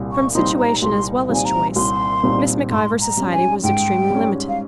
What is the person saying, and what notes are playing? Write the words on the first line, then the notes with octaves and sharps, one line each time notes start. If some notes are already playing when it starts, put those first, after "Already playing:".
From situation as well as choice, Miss Mac-Ivor's society was extremely limited.
Already playing: C2 A#2 G3
C#6
A#2 G3 C4 D#4 C6
A#5
C2 C6
A#2 G3 C4 D#4 G#5
A#5
C2 C6
A#2 G3 C4 D#4
G#2 C6
A#5
G3 C#4
G#5
G#2 G5
G3 C#4
F5